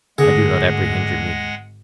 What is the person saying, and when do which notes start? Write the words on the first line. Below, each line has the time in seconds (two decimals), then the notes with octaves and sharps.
I do not apprehend your meaning.
0.18 G#1 G#2 D3 G#3 A3 G#4 F#5 A#6